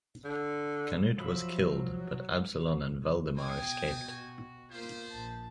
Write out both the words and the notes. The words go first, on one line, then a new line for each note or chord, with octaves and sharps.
Canute was killed, but Absalon and Valdemar escaped.
D3
F3 F#3 E5 B5
B2 C4 G5 G#5 D#6
F#4
A#3 B3 F4 C5
A#1 A5